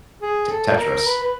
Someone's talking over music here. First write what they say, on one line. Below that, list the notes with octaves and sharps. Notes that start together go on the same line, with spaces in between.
T Tetris,
G#4
A4
A#4
B4
B4